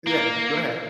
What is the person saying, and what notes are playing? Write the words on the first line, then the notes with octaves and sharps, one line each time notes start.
Yeah, go ahead.
A#3